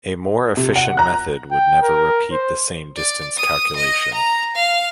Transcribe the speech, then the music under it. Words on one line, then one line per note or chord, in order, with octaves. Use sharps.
A more efficient method would never repeat the same distance calculation.
C3
F#5
A#5 F#6
G5
A#4
C5
D5
D#6
D#5
A#5
F5